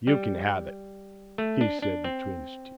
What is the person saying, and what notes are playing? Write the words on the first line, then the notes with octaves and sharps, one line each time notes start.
"You can have it," he said between his teeth.
G3
A3
D4
D4
C4